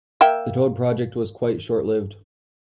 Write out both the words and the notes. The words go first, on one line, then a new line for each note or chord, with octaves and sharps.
The Toad project was quite short-lived.
A#3 E5 G5